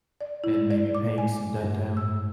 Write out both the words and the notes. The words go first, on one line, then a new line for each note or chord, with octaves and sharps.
and maybe paying some debt down.
D5
E4
D5
D6
G#5
G2
E6